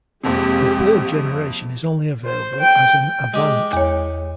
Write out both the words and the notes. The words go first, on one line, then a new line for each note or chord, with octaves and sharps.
The third generation is only available as an Avant.
A#1 F2 C3 G#3 G4
C5
G5
G#3 G4
E2 C#5